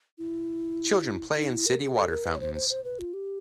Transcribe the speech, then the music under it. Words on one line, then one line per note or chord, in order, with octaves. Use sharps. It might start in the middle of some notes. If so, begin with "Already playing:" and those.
Children play in city water fountains.
E4
D#4
E4
A#4
G#4
A4
A#4
B4
C#5
C5
C5
C5
B4
F4
G4